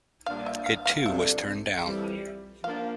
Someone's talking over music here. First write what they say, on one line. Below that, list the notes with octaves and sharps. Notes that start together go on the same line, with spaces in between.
It too was turned down.
A#2 G3 D4 F5
E5
F5
F5
F2 C3 G3 D4 A4 E5
F2 E3 G3
F3 A#3 D4 F5